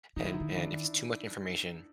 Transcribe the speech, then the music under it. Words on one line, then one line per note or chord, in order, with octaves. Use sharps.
And and if it's too much information,
E3 D#4
D#3 E4
D3 D#4
D#3
D4